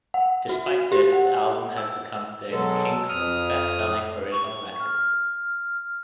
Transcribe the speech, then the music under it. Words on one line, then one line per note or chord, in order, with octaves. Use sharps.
Despite this the album has become the Kinks' best-selling original record.
F#5
F#4
G4
F#5
E6
B2 F#3 G#3 A4
F2 D#6 F6
C#6
F6